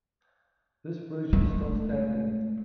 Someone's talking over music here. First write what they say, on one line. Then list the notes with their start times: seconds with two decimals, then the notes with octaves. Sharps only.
This bridge is still standing.
1.33 G#3 A3